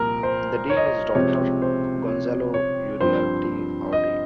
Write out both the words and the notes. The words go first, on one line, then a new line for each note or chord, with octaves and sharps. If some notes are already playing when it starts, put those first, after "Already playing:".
The Dean is Doctor Gonzalo Uriarte Audi.
Already playing: C2 A#2 F3 A#3 A#4
C5
C#5
D#5
C#5
C#2 C3 F3 C4 C#5
C5
C#5
C#5
G2 F3 C4 C5
D#5